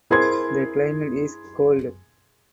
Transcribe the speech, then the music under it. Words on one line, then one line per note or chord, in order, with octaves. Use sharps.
The climate is cold.
E4 G#4 A#4 C5 C6 G#6